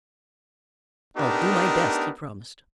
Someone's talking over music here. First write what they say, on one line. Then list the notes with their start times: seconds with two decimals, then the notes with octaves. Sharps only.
"I'll do my best," he promised.
1.17 A3 B3 D4 D#4 G4 A#4